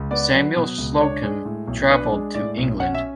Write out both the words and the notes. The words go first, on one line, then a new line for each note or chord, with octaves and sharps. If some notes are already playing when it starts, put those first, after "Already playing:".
Samuel Slocum traveled to England.
Already playing: C#2
B3 D5
F#3
B2
C#2
D4 C#5
G#3
A2
B1
D4 B4
G#3
A2 D5
B1
C#4 F#5
E5